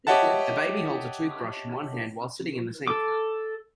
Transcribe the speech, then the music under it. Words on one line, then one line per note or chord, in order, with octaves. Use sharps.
A baby holds a toothbrush in one hand while sitting in the sink.
G4 C#5 D#5 E5 F#5 A5
A4 D6